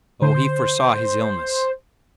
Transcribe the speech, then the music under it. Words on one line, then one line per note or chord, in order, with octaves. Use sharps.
Oh, he foresaw his illness!
D3 C5